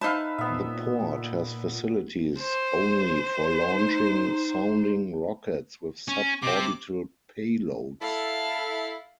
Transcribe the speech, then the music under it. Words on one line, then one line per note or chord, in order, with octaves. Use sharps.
The port has facilities only for launching sounding rockets with sub-orbital payloads.
D#4 B4 C5 E5 F5 A5
A#2 B3 E5
C5
D#4
C#4
C3 C4 D6
E4 A4 F5 A5